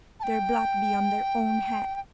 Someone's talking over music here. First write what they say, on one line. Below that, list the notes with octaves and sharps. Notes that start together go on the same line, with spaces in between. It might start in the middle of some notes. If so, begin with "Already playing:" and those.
Their blood be on their own head!
A5
G5
G5